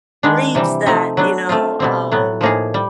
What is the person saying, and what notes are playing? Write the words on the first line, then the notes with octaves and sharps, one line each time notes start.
Reads that, you know, um
D#3 G#3 B3 D4
C3 E3 G3
F3 A3 C4 D#4
F#3 B3 D4
A3 C4 F4
B2 G3 C4
A2 F#3 B3
A2 F3 A#3 D#4 G#4
G3